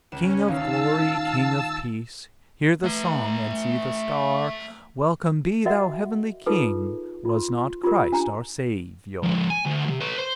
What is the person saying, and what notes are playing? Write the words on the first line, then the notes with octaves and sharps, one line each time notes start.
"King of glory, king of peace!" "Hear the song, and see the Star!" "Welcome be thou, heavenly King!" "Was not Christ our Saviour?"
C#2 C#4 E7
D#1 D#4 F5 A5 E6
A3 A#5
F#4 A#4 D#5 E5 F#5
D#4 F4 G#4 A4 B4
F4 C6
F4 G4 A#4
D4 G#5 A#5
F3 G#3
G#5
D2
D2 C3
B4 C#5
C5